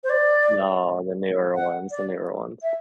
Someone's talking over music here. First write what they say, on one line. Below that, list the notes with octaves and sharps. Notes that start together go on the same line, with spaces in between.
No, the newer ones, the newer ones.
C5
D5
F#5
D5
E5